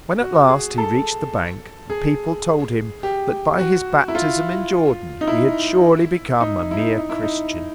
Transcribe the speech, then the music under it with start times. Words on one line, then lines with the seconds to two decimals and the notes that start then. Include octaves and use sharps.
When at last he reached the bank the people told him that by his baptism in Jordan he had surely become a mere Christian.
0.21 F#4
0.49 G#4
0.78 A4
1.90 G#4
3.03 G4
3.59 F#4
4.08 E4
4.15 F4
5.21 D#4
5.27 E4
6.41 D#4
6.71 E4
6.78 D#4
6.97 D#4
7.10 E4
7.23 D#4